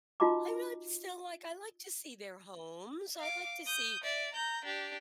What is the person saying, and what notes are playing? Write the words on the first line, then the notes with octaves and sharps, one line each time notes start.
I'm not still like, I like to see their homes. I like to see
D#4 F4 F#4 D#5 A#5 D6
F5 D6
D#6 G6
D5 E5
A#5 G6
D4 G4